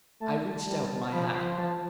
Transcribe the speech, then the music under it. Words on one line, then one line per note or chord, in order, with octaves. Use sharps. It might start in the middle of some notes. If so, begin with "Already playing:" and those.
I reached out my hand.
A3 A5
G3
F3 B5
D6
C6
F3 A5